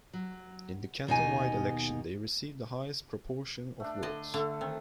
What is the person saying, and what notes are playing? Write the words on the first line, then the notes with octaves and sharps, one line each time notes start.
In the canton-wide election they received the highest proportion of votes.
F#3
D#2 B2 D#4 G#5
A3 D4
D3 D5 D#5
D3 A3 A4
D#3 C4